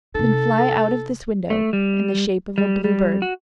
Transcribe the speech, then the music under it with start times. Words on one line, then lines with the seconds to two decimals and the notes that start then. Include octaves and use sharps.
"Then fly out of this window, in the shape of a Blue Bird."
0.15 C3 D#4 A4
1.50 A3
1.73 G3
2.58 G3
2.84 G3
3.22 F#4